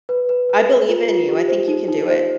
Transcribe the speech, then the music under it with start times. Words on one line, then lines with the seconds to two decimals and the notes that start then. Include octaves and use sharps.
I believe in you. I think you can do it.
0.09 B4
0.29 B4
0.49 B4
0.69 G#4
0.89 F4
1.09 F4
1.29 G4
1.48 C5
1.68 D#4
1.88 D#4
2.08 C5